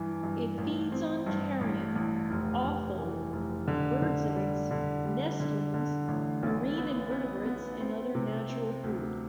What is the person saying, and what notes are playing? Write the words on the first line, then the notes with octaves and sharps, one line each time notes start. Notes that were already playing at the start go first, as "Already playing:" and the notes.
It feeds on carrion, offal, bird eggs, nestlings, marine invertebrates and other natural food.
Already playing: G2 E3
G2
A1
C4
G2
A1
A1
F1
F1
E3
F1
D3
D3
G3
D3
G3
D3
D3
A1
B1
B3
B3
B3
C4
C3
C4
D2